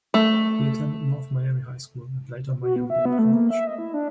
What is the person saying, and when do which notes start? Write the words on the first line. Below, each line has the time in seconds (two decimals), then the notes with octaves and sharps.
He attended North Miami High School, and later Miami Dade College.
0.14 A3
2.62 F#4
2.76 B3
2.90 E5
3.05 B3
3.19 A3
3.33 A#3
3.50 E5
3.67 D#5
3.78 E4
3.94 D4